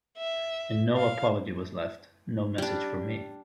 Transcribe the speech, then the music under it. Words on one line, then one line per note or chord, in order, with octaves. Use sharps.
And no apology was left, no message for me.
E5
F5
G3 D4